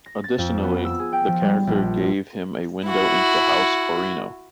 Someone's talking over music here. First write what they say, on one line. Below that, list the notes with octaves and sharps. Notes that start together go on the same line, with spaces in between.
Additionally, the character gave him a window into House Corrino.
A#6
A6
F2
B3
E6
G#4
G5
F3
G3
A#1
E4 F#4